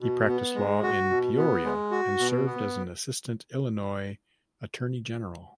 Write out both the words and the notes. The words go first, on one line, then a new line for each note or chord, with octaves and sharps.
He practiced law in Peoria and served as an Assistant Illinois Attorney General.
B2
B3
G#3
F#4
B2
B3
G#3
F#4
B2
B3